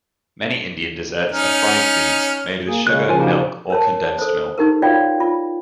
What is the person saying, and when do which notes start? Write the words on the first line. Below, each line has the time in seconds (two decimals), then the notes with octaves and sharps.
Many Indian desserts are fried foods made with sugar, milk or condensed milk.
1.32 C#4 D#4 F6
2.67 A#3 G#4
2.87 C#3 G#3 C#5 F#6
3.09 A#2 C#3 F3 F4 A#4 G#5
3.20 D#4 F#4 G4
3.70 A#4 C#5 A5
4.19 A4 C5
4.58 D#4 G4 A#4
4.82 F4 F#4 C#5 D5 F5 G5
5.20 F4